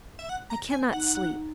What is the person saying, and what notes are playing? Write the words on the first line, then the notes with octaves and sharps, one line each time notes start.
I can not sleep.
E5
F#5
A#5
G#5
D#4 F#5